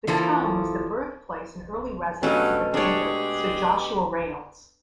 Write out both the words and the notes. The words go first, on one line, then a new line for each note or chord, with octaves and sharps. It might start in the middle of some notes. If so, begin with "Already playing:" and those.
The town was the birthplace and early residence of the painter Sir Joshua Reynolds.
E3 F3 A#3 A4
G2 B2 F#3 A3 C#4
G#3 D4 G4 G#4 C#5